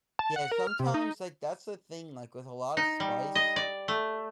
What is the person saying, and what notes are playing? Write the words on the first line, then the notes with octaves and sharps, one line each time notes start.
yeah, sometimes like, that's the thing, like, with a lotta spice
A5
F#5
A#4
F6
C3
D#4
D#4
G3
D#5
D5
A3